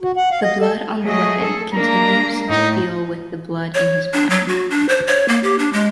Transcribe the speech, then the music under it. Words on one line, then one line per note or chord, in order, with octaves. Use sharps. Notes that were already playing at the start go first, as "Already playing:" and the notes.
The blood on the weapon continues to feel with the blood in his body.
F#4
F#5
F5
D#5
A4
F#3 A3 G#4 D#5
A4
G#3 A#3 D4 A#5
A2 D#4
C#5
D4
F#3
F#4
D4
C5
C#5
A#3
G4
D4
G#3